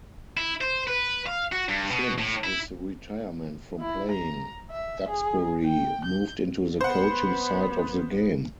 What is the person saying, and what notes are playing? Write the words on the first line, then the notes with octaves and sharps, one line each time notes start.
Since his retirement from playing, Duxbury moved into the coaching side of the game.
E4
C5
B4
F5
F#4
G2
B2
A2
E4
E4
A#5
E5
G#4
G5
G6
B3 C5 F#5 B5